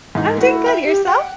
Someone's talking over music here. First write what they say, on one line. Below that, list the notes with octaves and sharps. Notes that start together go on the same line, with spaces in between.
I'm doing good, and yourself?
G#2 E3 D#4
A3 E4 F#4
E5 G5
G4
F#5 G5